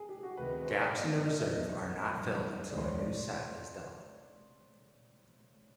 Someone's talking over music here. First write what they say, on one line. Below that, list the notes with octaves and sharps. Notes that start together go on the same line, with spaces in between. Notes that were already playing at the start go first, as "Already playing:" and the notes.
Gaps in the reserve are not filled until a new set is dealt.
Already playing: G#4
G4
F#4
D2 C3 D#3 G#3 B4
B4
C5
D5
G#1 G2 E3 G3 B3 D#5
D5
D#5
E5
C2 B2 F#3 D#5
G#1 G2 D3 F#3
D2 C3 D#3 G#3 D5
C5
C#5
D5